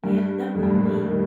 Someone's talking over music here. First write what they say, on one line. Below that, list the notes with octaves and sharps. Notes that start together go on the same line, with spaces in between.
Yeah, definitely.
G2
F2
G2
A2
A#2
D#3